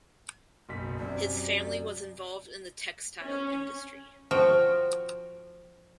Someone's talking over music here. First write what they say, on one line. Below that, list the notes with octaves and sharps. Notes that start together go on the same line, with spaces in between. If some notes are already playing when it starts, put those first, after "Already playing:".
His family was involved in the textile industry.
F#1 B1 B6
F#2 C3 D5
C#4
F3 F#4 G5